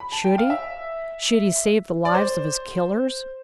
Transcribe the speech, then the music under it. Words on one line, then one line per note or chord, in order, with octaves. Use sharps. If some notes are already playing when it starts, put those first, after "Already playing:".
Should he? Should he save the lives of his killers?
B5
A5
G5
F5
E5
D5
C5